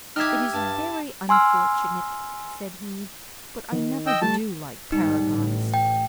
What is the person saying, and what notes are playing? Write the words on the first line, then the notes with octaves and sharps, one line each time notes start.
"It is very unfortunate," said he, "but I never do like Paragons."
D#4 G4 E5 G5 F6 G#6
G2 A5
G#5 C6 E6 F6
D#3
D#5 G5 E6
G3 A3 A5
B1 G#2 G3 D#4
A1 A2
G5